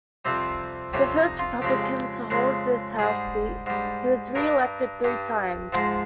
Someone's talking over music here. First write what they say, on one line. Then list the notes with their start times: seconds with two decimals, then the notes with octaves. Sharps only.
The first Republican to hold this House seat, he was re-elected three times.
0.25 F2 C3 G3 C4
0.93 F2 C3 G3 C#4
1.16 D#4
1.39 F4
1.62 F2 C#3 G#3 G4
2.30 F2 C#3 G#3
2.99 G#2 G3 G#4
3.66 G#2 G3
4.35 G2 G3 A#4
5.04 G2 G3
5.73 G#2 F3 G#3